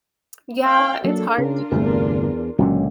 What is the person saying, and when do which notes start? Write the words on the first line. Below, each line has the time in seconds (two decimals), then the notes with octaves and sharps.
Yeah, it's hard each year
0.64 F5 G5
1.04 F#3 A#3 D4 A4
1.38 C#3 D4 F4 A#4
1.72 G1 E2 C3 A3
2.59 C#2 A#2 D3 F#3 C#4